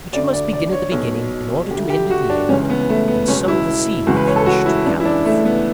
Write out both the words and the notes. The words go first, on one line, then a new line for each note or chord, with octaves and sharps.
But you must begin at the beginning in order to end at the end, and sow the seed if you wish to gather the fruit.
D2 D3 D5
D5
D5
C#5
B1 B2
D2 D3 G4
G4
F#4
D4
C#2 C#3 E3 C#4
B3
A3
B3
C#2 B2 C#4
E4
C#2 C#3 E3 F#4
B4
C#5
A4
F#4
E4
C#2 C#3 E3 D4
E4
D4
A3
B3